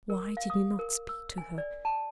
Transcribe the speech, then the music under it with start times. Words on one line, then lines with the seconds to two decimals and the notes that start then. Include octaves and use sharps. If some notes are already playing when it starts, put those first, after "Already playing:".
Why did he not speak to her?
0.10 A#4
0.37 F5
0.50 D#6
0.79 A#4
1.09 E6
1.38 G#5
1.58 D5
1.85 A5